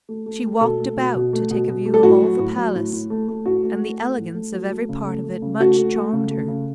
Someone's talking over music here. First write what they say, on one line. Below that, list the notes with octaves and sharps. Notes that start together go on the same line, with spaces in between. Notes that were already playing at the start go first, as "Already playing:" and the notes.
She walked about to take a view of all the palace, and the elegance of every part of it much charmed her.
A3
A3
A3
B2 A4
A3
B2
B2
A3
B2
B2
A3
A4
A2 F#4
F#3
A2
F#3
A2
A2
A3
A3
A2 F#4
A3
A3
A3
A2
A3
F#3
A3
C#3
A3
A3
C#3
A3 F#4
A3
A3
C#3
A3
C#3